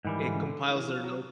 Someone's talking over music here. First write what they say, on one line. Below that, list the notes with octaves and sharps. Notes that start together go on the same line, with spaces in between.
it compiles their notes
G#2 D#3 E3 G3
D3
C#3
D3
D#3
E3
F3
F#3